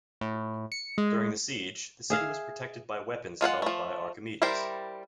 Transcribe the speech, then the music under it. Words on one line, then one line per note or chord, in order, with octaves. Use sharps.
During the siege, the city was protected by weapons developed by Archimedes.
A2
C#7
G#3
G#4 E5 F5
G#3 F4 C5 F#5
F3 A3
G3 E4 A#4 C5 G5